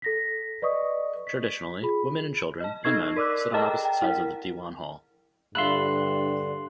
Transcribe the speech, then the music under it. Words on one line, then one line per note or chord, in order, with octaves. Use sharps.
Traditionally, women and children, and men sit on opposite sides of the diwan hall.
A4 A#6 B6
B4 D5 D#5 C#6 D#6
B6
F4 G#4 B5
D#5 A5
D#4 A4 D#5 C#6 G#6 C7
A#4 D5 D6 E6 F#6
G#4 A4 D#5 G5 A5 A#5
G5
E4 A#4
G2 D3 F4 E5 B5 C6 F#6